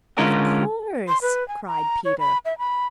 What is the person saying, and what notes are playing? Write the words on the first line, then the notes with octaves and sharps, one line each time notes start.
"Of course," cried Peter.
D3 G#3 C#4 F4 A#4
C6
B4
G#5
A#5
C#5
B5
E5
B5